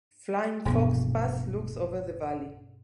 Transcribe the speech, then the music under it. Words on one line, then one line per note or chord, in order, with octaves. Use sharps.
Flying Fox Pass looks over the valley.
E1 A#1 G2 B2 B3